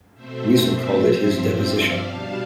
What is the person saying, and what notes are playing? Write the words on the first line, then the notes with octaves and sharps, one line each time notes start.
Wiesel called it his deposition.
B2 A3 C4 C5 E5
G2 F3 C4
D5 F5
B2 G3 D4 F5 A5